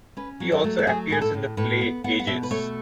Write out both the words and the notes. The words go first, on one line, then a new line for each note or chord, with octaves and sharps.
He also appears in the play "Agis".
C#4 B4
F#3
A4
A3
A4
F#3 G#4
A2 G#4
A4
A2
A2 B4
B3
B3 F#5
F#5
B2 E5
B4
A3 C#5